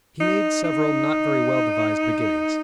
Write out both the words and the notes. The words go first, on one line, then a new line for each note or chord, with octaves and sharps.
He made several not very well-devised beginnings.
D#4
D#4